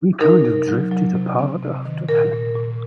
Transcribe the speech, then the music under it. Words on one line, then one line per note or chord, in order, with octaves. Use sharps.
We kind of drifted apart after that.
D#4 A#4
C3
F#3
F#3
C3
C4
C3
D#3
A#2 A#4
A#2
A#2